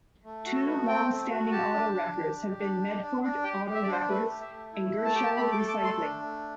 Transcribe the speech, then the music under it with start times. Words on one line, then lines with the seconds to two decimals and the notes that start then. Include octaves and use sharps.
Two long-standing auto wreckers have been Medford Auto Wreckers and Gershow Recycling.
0.24 A3
0.45 F#4
0.55 A4
0.66 A3 B4
0.88 C4 G5
1.09 A3
1.31 F#4
1.52 G4 A5
1.74 D4
1.94 D4
2.16 G4
2.38 G4
2.58 D4
2.81 G4
3.01 D4
3.23 D4
3.44 G4 G5
3.65 G4
3.74 E5
3.83 D5
3.87 D4 C5
4.08 A3 B4
4.30 G4
4.41 E5
4.51 A3
4.73 E4
4.93 A3
5.05 A5
5.15 G4 G5
5.25 A5
5.36 A3 B5
5.52 D6
5.58 A4
5.68 D6
5.79 A3
5.84 C6
6.01 D4
6.22 A3